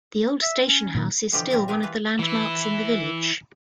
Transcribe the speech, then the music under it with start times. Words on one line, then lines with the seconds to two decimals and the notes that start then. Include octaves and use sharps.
The old station house is still one of the landmarks in the village.
0.42 E5
0.63 C#4
0.95 A#2 D#3
1.32 B2 D3 E3 F3 F4 G4
1.51 A#2 G3 C4 A#4 E5 A#5
1.68 G4 G#4 A#4 B4 E5
1.83 E3 F4 B4
2.19 E3 E4